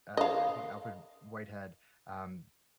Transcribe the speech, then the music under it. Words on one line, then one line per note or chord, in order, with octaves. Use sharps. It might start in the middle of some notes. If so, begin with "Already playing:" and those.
uh, I think, Alfred Whitehead, um,
D#5 F5